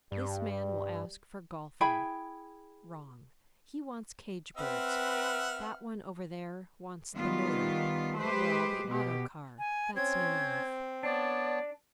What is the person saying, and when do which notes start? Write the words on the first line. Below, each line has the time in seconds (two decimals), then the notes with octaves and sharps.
This man will ask for Golfing--wrong, he wants Cage Birds; that one over there wants The Motor--ah, well, The Auto-Car, that's near enough.
0.12 G2 G3
1.81 E4 G#4 G5 B5
4.57 C4 B4 E5 F#5 F6
7.16 D#3 G3 B3 F4
8.19 G#3 G4 B4 C5
8.89 B2 G4
9.58 G#5
9.96 C4 C#4 C5 C#5 G#6
11.03 B3 D4 C#5 D5 A5